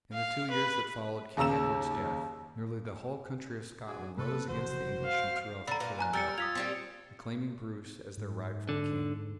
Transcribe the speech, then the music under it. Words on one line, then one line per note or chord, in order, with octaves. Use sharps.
In the two years that followed King Edward's death nearly the whole country of Scotland rose against the English and threw off the foreign yoke, acclaiming Bruce as their rightful king.
F5
B4
D#2 C#3 A#5 E6 E7
D4 F#4 G#4
C3 A#3 A4 B4
F1 C#3 E3 F#4 C5
F5
D3 A#5 B5
A#2 B4 F5
G#5 A#5 F#6
G3 A#4 E6 A6 C#7
F4 D#6 G#6 B6 F7
A#2 G3 C4
G#2
D3